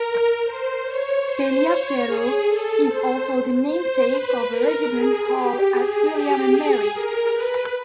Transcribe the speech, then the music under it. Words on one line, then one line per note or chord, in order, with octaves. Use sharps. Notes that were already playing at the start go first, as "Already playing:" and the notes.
Taliaferro is also the namesake of a residence hall at William and Mary.
Already playing: A#4
C5
C#5
C5
C#5
G#4
A4
C5
C5
B4
A#4
G#4
G4
G#4
G4
G#4
A#4
B4